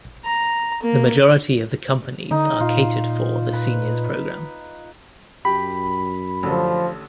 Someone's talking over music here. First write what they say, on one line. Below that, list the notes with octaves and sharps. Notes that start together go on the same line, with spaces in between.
The majority of the companies are catered for the Seniors Programme.
A#5
A#3
D3 D#4
A#2 F4
B4
F#2 G4 B5
A1 D3 F3 A4